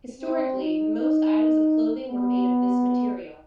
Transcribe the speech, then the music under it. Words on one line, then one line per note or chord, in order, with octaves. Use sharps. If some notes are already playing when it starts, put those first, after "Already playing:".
Historically, most items of clothing were made of this material.
C4
D#4
D#4
B3